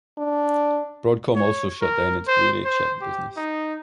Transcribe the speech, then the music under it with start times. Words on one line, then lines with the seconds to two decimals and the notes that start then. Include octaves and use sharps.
Broadcom also shut down its Blu-ray chip business.
0.18 D4
1.35 C#5
1.82 A#4
2.28 C5
2.65 C5
3.01 G4
3.37 D#4